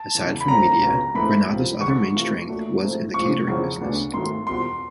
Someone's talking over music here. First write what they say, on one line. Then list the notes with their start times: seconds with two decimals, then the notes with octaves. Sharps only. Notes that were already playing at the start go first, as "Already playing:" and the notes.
Aside from media, Granada's other main strength was in the catering business.
Already playing: A5
0.15 E2 C#3 E3
0.40 B5
0.48 F#2 D3 F3 A3 C4 A#5
0.81 C#2 C#3 F#3 B3
1.15 G#2 E3 A3 C4 B5
1.48 C#2 C3 F3
1.81 D3 F3 G#3 C#6
2.15 C3 E3 A3 C4 F4
2.48 A#2 F#3 A3
2.81 G#2 F3 A3 C4
3.14 A2 F3 G#3 C4 F4 C#6
3.47 E2 C#3 F3 G#3 C4
3.81 D2 C#3 F#3 B3 D4
4.14 G#2 D#3 F#3 A3 C6
4.47 E2 B2 G3 C4 F4 C6